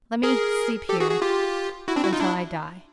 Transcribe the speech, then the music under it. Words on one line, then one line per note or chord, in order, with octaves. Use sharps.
"Let me sleep here,--until I die."
G#4 A#4
G4 A4
F#4 G#4
F#4 G#4
F4 G4
E4 F#4
C4 D4
E4 F#4
D#4 F4
D4 E4